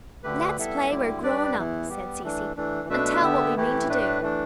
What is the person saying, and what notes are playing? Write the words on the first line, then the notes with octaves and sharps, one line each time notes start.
"Let's play we're grown up," said Cecy, "and tell what we mean to do."
D2 D3 A3 G4 B4
G3 B3 E4 A4 E5
D2 D3 G3 E4 G4
G3 D4 G4 B4 D5
E2 E3 B3 E4
G3 B3 G4
E3 A3 D4
E3 A3 D4
B2 A3 D4 B4 E5
D3 B3 G4 E5
E3 A3 E4 G4
A2 A3 D4 B4
E3 A3 D4